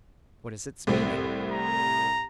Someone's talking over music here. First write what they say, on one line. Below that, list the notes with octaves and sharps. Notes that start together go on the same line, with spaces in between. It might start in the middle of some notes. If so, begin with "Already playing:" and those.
What is its meaning?
C2 A2 C4
A#5